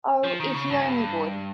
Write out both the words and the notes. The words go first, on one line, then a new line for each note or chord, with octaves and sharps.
Oh, if he only would!
F3
D#3
C#3
G2